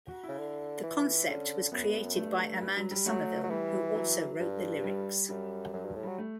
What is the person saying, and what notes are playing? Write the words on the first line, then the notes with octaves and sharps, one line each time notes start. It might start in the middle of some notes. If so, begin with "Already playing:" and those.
The concept was created by Amanda Somerville who also wrote the lyrics.
F#4
C#3 E4
D3
E3
D3 C#4
F#2 B3
G2
F#2
G2 A3
G3
F#3
G3
F#3 A3
F#3
E3 G3
F#3
G2
G3
F#2 G3
F#2 F#3
G2 G3
A2
F#3 G3
A3